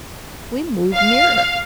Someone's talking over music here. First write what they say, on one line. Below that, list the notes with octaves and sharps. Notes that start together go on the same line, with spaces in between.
We moved nearer.
F5